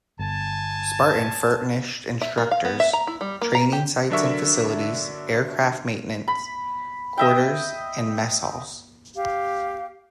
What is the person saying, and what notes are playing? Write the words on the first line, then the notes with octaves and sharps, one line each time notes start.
Spartan furnished instructors, training sites and facilities, aircraft maintenance, quarters, and mess halls.
G1 G#5 A5
E5
A#3
F5
B3
E5
A#5
E4
G3
A#3
A#5
G4
D3 F#3 D4 A#4 E5 C#6
B5
D#5 E5 G5
G4 F5